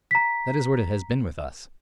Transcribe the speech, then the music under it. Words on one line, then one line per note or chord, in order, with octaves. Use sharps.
That is what it has been with us.
A#5 B6